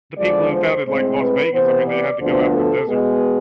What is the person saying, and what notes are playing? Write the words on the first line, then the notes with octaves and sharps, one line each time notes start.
the people who founded, like, Las Vegas, I mean, they had to go out in the desert and
E2 D3 F3 G#3 D5
C5
A2 G#3 C4 C5
B4
C3 E3 B3 C5
D5
D2 D3 F3 B3 D4 C5
A4
B2 G#3 B3 G#4